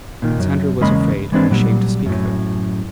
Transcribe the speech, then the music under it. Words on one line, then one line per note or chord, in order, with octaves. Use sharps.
Prince Andrew was afraid and ashamed to speak of it.
A#2 D#3
F#2
E2 C#3 G#3 A#3 D#5 B5
E3 G#3 C4 D4 B4
A#2 F#3 G3
F#2 A2